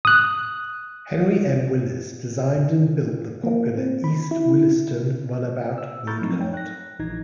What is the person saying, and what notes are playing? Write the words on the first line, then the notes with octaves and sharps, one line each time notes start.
Henry M. Willis designed and built the popular East Williston Runabout Roadcart.
D#6 F#6
A#3
C4
B5
E4
E6
A#5 B5 C#6 F6 G6 A6
F3 F#3 A3 C4 D#4
C#5 G5
F#6 A#6
A#1 E3 D#4 G#6 A#6